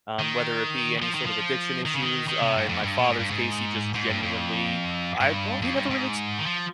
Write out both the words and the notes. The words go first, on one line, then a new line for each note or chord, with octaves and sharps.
Um, whether it be any sorta addiction issues, uh, in my father's case, he just genuinely I well, he never really exp
D#3
F3
D#3
F3
D#3
C#3
D#3
D#3
C3
G2
F2
G2
A#2
G#2
G2
G#2
G#2
G2
F2
G2
F2
G2
G#2
D#3
F3